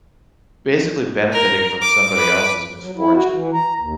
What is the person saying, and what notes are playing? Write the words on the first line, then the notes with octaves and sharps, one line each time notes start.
basically benefiting from somebody else's misfortune."
A#4
D6
B4 D6
F#3
E4
F#4
E3
A#5
D#2